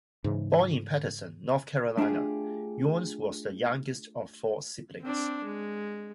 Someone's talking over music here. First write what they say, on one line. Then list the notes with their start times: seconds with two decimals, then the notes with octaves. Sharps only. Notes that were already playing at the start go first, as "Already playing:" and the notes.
Born in Patterson, North Carolina, Younce was the youngest of four siblings.
0.24 G#2 C#3 E3
1.97 A3 D4 F4 G4 G#4
5.02 C4 D4
5.44 G#3